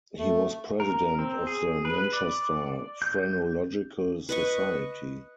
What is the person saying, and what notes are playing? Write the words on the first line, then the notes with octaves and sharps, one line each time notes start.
He was President of the Manchester Phrenological Society.
A3
A#4
C4
G#4
B4
D5
G6
B4 D#5 C#6